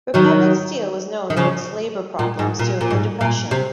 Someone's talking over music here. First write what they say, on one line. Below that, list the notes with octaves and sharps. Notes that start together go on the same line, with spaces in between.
Republic Steel was known for its labor problems during the Depression.
D#3 F#3
D#3
C#3 F3
A#2
G#2
A#2
A#2
G#2
A#2
C3